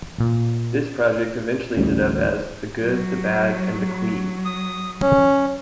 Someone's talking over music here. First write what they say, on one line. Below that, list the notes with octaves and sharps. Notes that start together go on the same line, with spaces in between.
This project eventually ended up as The Good, the Bad and the Queen.
A#2
A1 D2 G3 C#4
F#3
D#6
C#4